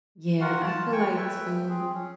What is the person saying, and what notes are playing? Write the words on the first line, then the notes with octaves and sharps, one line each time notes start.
Yeah, I feel like too,
F4 F#4 A#4 F#5
F4 A5
G5 G#5 C#6
B4 E5 G5
C4 G#4
C#4